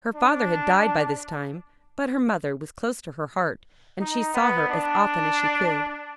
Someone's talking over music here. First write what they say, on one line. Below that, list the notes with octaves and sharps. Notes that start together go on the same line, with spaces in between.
Her father had died by this time, but her mother was close to her heart and she saw her as often as she could.
D4
D#4
B3
D4